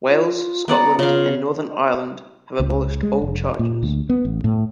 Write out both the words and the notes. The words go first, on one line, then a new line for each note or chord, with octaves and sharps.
Wales, Scotland and Northern Ireland have abolished all charges.
F4
B3 D5 F#5 A#5
C#3 F4 F5
C#2
G#3
F1
A#2
D2
B3
A1
A2